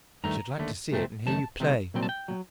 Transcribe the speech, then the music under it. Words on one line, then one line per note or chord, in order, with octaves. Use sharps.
"I should like to see it, and hear you play."
G2 D#3 A3 A#5
D#2 D3 A3
C2 A#2 A3 C4
F#2 D#3 A3 A5
C2 C3 D#3 A3 C4
C2 A#2 F#3 C4 G5
A5
G5
A#2 F#3